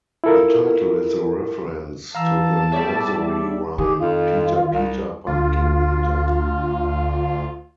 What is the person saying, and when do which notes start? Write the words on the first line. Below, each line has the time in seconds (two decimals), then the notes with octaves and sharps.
The title is a reference to the nursery rhyme "Peter Peter Pumpkin Eater".
0.24 E4 F4 A4 A#4
2.15 E3 F5 A5 A#5 E6
2.72 G3 B3 G#4 C#5 D5 E5
3.78 D#3 G4 G#4
3.99 F2 F4
4.71 C2
5.27 D2 F4